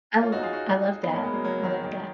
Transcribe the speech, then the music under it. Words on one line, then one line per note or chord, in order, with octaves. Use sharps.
I l I love that, I love that.
C#4 F4
D#4 F#4
F4 G#4
D#4 F#4
B3 D#4
A#3 C#4
G#3 B3
F#3 A#3
F#3 A#3
D#3 F#3
D#3 F#3